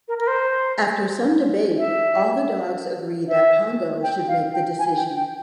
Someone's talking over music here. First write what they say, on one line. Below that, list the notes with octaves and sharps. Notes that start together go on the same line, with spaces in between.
After some debate, all the dogs agree that Pongo should make the decision.
A#4
A#4
C5
E5
E5
G5
F5
G5
G#5
G5
G5